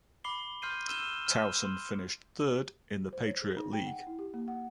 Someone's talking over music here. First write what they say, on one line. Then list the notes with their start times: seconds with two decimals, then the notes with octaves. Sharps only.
Towson finished third in the Patriot League.
0.24 B5 D6 C7 G7
0.62 C6 F6 G6 C7 D#7
0.88 E6 F6 D#7 E7 G7
1.27 F6
1.65 C6
3.13 C5
3.26 C#5
3.42 G#4
3.57 D#4
3.73 G5
3.86 F#5
4.07 E4
4.19 G4
4.34 A#3
4.48 F#5